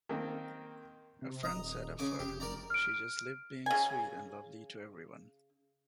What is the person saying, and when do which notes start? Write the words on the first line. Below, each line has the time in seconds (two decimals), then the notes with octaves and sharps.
A friend said of her, She just lived being sweet and lovely to everyone.
0.09 D#3 A#3 C4
1.22 C3
1.43 D#1 D#5 A#5
1.99 C#3 G#5 D6
2.19 F1 G4
2.40 A#4 D5 A#5
2.70 F6 D7
3.66 C#3 G#5